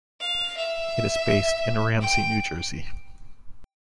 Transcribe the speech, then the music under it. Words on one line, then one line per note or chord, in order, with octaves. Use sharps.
It is based in Ramsey, New Jersey.
F5
E5
G5